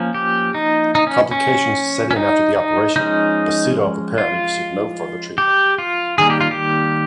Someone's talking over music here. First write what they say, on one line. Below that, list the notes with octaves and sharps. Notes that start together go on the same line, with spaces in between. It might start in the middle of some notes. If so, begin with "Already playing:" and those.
Complications set in after the operation, but Sedov apparently received no further treatment.
Already playing: F3 A#3 C#4
G4
D#4
D#4
C#4
C#4
C#4
D#4
D#4
F3 G#3 C#4 D#4
F4
G4
F4
D#3 G3 A#3 G#4
G4
F4
G4